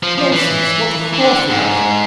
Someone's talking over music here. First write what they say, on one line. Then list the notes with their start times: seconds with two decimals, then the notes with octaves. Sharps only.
'Nonsense! not half enough.'
0.03 F3
0.18 F3
0.32 E3
1.13 E3
1.20 D3
1.50 G#2